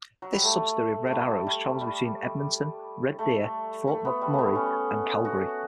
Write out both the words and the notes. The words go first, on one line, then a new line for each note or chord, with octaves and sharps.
This subsidiary of Red Arrow travels between Edmonton, Red Deer, Fort McMurray and Calgary.
F#3
G3
A3
A3
G3
G3
G3
A3
A3
B3
G3
A3
B3
C#4
F#4